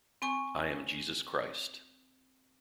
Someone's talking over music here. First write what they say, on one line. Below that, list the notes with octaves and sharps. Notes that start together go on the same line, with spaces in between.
I am Jesus Christ.
C4 G#5 C#6